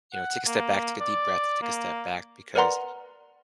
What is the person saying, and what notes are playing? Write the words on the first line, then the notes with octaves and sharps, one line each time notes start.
you know, take a step back, take a deep breath, take a step back because
F#5
A#3
D5
A#3
A#4 B4 D5 F#5 A#5 C6